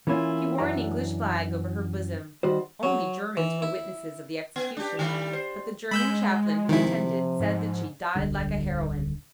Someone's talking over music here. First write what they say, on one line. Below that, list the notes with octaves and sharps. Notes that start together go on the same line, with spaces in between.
She wore an English flag over her bosom. Only Germans were witnesses of the execution, but the German chaplain who attended said that she died like a heroine.
E3 A#3 C#4 E4 F4
F#2 E3 D4 D5 A#5
D#3 G3 F#4 C5
F#3
E3
E4
B3
D4 G4
D#3 G3 A3
C5
G#3 B5 E6 G6
C3 D#3 F3 E4
G#2
D1 B1 D3 G3